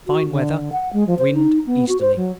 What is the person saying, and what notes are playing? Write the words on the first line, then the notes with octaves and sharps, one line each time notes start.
Fine weather: wind easterly.
F#4
D3
F#5
G#3
F3
C5
D#4
B3
F#4
C5
F#3